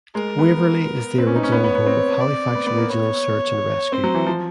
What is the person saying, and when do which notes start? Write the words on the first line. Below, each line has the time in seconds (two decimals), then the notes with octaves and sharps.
Waverley is the original home of Halifax Regional Search and Rescue.
0.15 G#3 A#4
0.39 B3
1.18 C4 B4
1.27 C#4
1.36 D#4
1.43 C#4
1.52 B3 C#5
1.64 B3
1.75 B3
1.86 C4
2.20 D5
2.55 B3
2.67 B3
2.78 A#3
2.89 B3 C#5
3.92 C4 C5
4.04 F#3
4.15 E3
4.27 F3